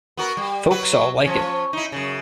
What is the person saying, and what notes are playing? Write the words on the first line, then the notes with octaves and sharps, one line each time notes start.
Folks all like it.
B3 F#4 A#4
G3
F#3 B4
F3 C#4
D#4 E4
F#2 C#3